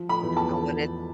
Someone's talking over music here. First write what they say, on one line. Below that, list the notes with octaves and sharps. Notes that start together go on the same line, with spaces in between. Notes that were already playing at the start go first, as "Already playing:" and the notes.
I wanted
Already playing: F3
B5
E2
A5